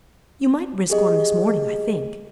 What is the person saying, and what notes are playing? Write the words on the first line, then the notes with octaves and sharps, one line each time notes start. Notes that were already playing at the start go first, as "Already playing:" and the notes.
You might risk one this morning, I think.
G4 G#4 D#5